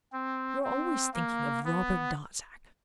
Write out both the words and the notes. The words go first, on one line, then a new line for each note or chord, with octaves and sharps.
You are always thinking of Robert Darzac.
C4
C4
A#3
B3